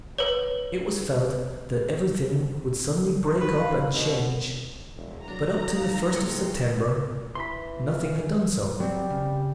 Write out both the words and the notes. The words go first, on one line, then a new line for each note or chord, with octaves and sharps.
It was felt that everything would suddenly break up and change, but up to the first of September nothing had done so.
B4 C#5
F#4 B4
F5
D#4
B2 C4
E1 E2
F#3 D4 A#5
C2 D#4 F5
C3 A#3 E4 F4 G#4 A4
E3 B5 C6
F4
F#3 G3 C4
C#3